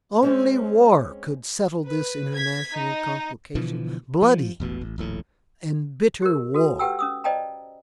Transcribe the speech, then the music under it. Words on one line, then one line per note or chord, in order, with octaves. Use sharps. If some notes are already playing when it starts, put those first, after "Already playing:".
Only war could settle this international complication--bloody and bitter war.
G#3 C4 C#4
B4
G#6 B6
D#4
B2 D3 E3 F3
F3
E1 A1 B2
A1
D#1 A#1 A2
G4 A#4
F#4 A4 B4
G4 B4 F#5 G5 A5 E6
C#4 D#6 E6
C5 D5 D#5 G5 A5 A#5